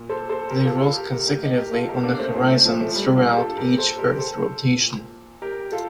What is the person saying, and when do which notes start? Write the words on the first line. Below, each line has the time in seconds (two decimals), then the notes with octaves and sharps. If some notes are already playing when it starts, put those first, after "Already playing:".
They rose consecutively on the horizon throughout each earth rotation.
Already playing: A#2
0.09 A4 C5
0.29 A4 C5
0.50 G4 A#4
0.65 F4 A4
0.81 F4 A4
0.97 G4 A#4
1.11 A2 G4 A#4
1.27 G4 A#4
1.42 D#4 G4
1.57 G4 A#4
1.73 F4 A4
1.88 G4 A#4
2.03 A#3 D4
2.15 D4
2.19 A3 C4
2.34 A#2 A3 C4
2.50 A3 C4
2.65 F3 A3
2.81 F3 A3
2.96 G3
3.16 D4 F4
3.30 G4
3.37 F4 A4
3.57 A#2 G4 A#4
3.78 A4 C5
3.98 G4 A#4
4.19 A4 C5
4.80 A#2
5.42 G4 A#4
5.72 F4 A4